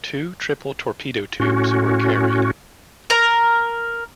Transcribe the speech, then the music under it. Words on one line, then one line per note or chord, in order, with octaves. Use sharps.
Two triple torpedo tubes were carried.
A2 C#4 F#4
A#4 A#5